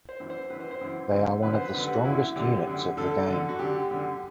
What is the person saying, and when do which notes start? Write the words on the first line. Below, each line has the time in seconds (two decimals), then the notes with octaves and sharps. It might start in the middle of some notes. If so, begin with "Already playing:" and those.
They are one of the strongest units of the game.
0.09 C5
0.20 F#2 E3
0.30 C5
0.50 F#2 E3 B4
0.60 C5
0.71 C5
0.81 F#2 E3
1.12 F#2 D3
1.42 F#2 D3 B4
1.53 C5
1.64 B4
1.74 F#2 D3 B4
1.84 G4
1.94 F#4
2.05 F#2 D3 E4
2.36 F#2 D3 G4
2.67 F#2 D3
2.97 F#2 D3 A4
3.28 F#2 D3
3.49 F#4
3.59 F#2 D3 G4
3.91 F#2 D3